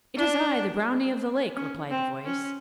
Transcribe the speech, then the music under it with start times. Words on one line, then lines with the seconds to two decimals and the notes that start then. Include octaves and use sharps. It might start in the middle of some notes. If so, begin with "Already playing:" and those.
'It is I, the brownie of the lake,' replied the voice.
0.17 D4
1.56 C#4
1.91 C4
2.25 C#4